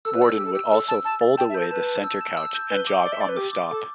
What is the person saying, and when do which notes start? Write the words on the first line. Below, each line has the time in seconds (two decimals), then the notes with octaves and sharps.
Worden would also fold away the center couch and jog on the stop.
0.05 A4 E6
0.14 B4
0.21 D5 E6
0.30 A4
0.38 G4 E6
0.45 A4
0.53 G4 E6
0.72 A4 E6
0.88 A5 E6
1.04 A5 E6
1.21 A6
1.38 G5 A5
1.49 E5
1.54 G6
1.60 A4
1.71 B4 A5
1.87 A5
2.04 E6
2.21 E7
2.37 E6
2.54 G6
2.70 B4 G7
2.87 D6
3.04 D5 G7
3.12 E5
3.20 D5 A6
3.29 B4
3.36 G4 D6
3.53 D6
3.70 A4 D6